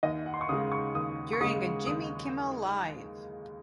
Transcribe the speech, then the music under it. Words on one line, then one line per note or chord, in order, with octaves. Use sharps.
During a Jimmy Kimmel Live!
D#2 D#5
F#5
C6
C#6
C#3 G#3 D#6
C#6
D#2 D#6
C#6
C#3 G#3 D#6
D#2 D#6